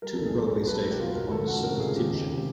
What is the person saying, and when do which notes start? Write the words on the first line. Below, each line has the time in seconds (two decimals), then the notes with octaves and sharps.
Two railway stations once served Tibshelf.
0.02 G3 A#4
0.15 B1 A4
0.26 G#4
0.35 B2 A4
0.50 B1
0.67 G3 B4
0.75 A4
0.83 B1 A#4
0.91 G4
0.99 B2 F4
1.15 B1 A#4
1.31 D#3 A4
1.47 C#2 F#4
1.63 C3 A#4
1.76 A4
1.80 C#2 G#4
1.96 D#3 G4
2.12 C#2
2.28 C3